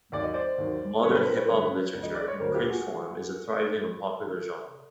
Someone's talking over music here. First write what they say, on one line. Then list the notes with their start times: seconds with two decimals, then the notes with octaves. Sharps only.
Modern hip-hop literature in print form is a thriving and popular genre.
0.12 D#2 D#3 F#3 D5
0.23 D#5
0.34 C5 D5
0.58 D#2 D#3 F#3
1.03 G2 D3 F#3 B4 C#5
1.15 A4 B4
1.26 A#4 C5
1.37 B4 C#5
1.49 G2 D3 F#3 B4 C#5
1.94 D2 D3 F#3
2.03 D#5
2.15 D5
2.28 C#5
2.40 D2 D3 F#3 A#4 C5
2.54 F4 G4
2.69 F#4 G#4